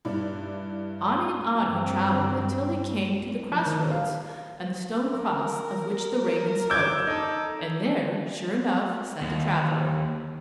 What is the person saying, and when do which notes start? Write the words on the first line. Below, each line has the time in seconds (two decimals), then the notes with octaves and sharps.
On and on he travelled, until he came to the cross-roads and the stone cross of which the raven spoke, and there, sure enough, sat the traveller.
0.05 G2 E4 D5
1.57 G2 C4
3.52 F3
3.66 D#3
3.92 F5
5.12 A#4
6.70 D6 E6 G6 G#6
7.07 D#4 A4
9.21 D#2